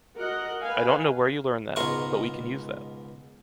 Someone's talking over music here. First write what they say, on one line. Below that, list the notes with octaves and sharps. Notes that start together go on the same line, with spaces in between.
I don’t know where you learned that, but we can use that.
F#4 A#4 D#5 F#5
B4 F5 G#5
C#2 G#2 B2 A#4 C6 C#6